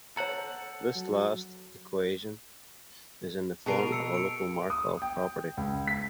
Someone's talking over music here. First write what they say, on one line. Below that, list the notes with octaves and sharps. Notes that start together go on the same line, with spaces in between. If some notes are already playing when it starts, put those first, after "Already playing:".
This last equation is in the form of a local Markov property.
A4 C#5 F#5 A#5
F#3
B2 G#4 A#4 A5 C7 D7
F7
E6 C#7
C#7 D7
D#6
G5
C#2
B6